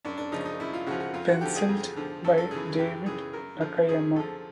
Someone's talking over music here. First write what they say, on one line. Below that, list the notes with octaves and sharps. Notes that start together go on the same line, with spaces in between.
Penciled by David Nakayama.
F#2 D4
D4
C#3 F3 D#4
D#4
F#2 E4
F4
C#3 F3 F#4
F#4
F2 F4
F#4
D3 F3 G4
G#4
F2
D3 F3
F#2 A4
A4
C#3 E3 G#4
F#2 G4
C#3 E3 G#4
F#2 A#4
D3 F3
F#2 G#4
D3 F3 A4